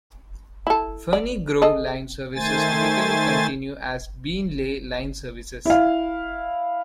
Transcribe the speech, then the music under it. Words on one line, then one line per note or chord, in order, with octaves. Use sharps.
Ferny Grove line services typically continue as Beenleigh line services.
E4 A4
D5
G#4 A4 D#5
D#3 A3 C5 G#5 A6
E4 F5